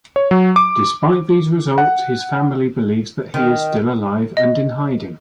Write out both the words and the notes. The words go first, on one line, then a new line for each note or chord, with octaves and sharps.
Despite these results, his family believes that he is still alive and in hiding.
C#5
F#3
D6
F#5
D#3
D#5